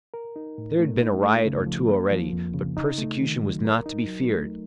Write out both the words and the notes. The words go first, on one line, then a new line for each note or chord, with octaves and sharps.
There had been a riot or two already. But persecution was not to be feared.
A#4
D#4
A2
A3
D#4
A3
C#3
F3
A#3
F3
F2
C#3
D#4
A3
D#3
F#3
A#4
D#4
F#3
A3